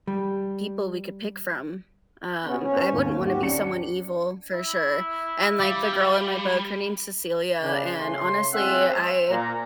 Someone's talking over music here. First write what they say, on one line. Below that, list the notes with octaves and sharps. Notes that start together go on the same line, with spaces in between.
people we could pick from. Um, I wouldn't wanna be someone evil for sure, and, like, the girl in my book, her name is Cecilia, and honestly, I
G3
C3 B3 C#4
C#4
C5
G#1 D#2
F#4 G4
C#4 D4 C#7
E4
G3 F5 D6
C#3 D4
C#3 A3 C#4 C6
G#3 C4 C#4 F4 E5 F#5
C5
A#2 A#5